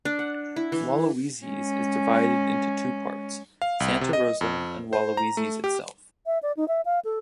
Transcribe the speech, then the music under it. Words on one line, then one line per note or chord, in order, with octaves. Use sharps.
Hualahuises is divided into two parts: Santa Rosa and Hualahuises itself.
D4
F#5
E4
E3
G#3 C#4
F5
C2
C3
D#5
F2
C5
A#5
A3
G4
E5
D5
D#4
E5
F5
A4